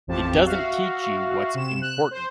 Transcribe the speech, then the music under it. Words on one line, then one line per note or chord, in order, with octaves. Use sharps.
It doesn't teach you what's important.
A1 F2 F3 G4 A5
F#4 E5 F5
C3 E7
F#6
C5